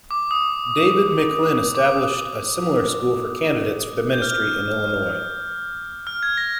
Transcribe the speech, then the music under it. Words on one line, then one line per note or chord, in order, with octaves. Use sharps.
David McLin established a similar school for candidates for the ministry in Illinois.
D6
D#6
D6
G6
F6
F6
G#6
A#6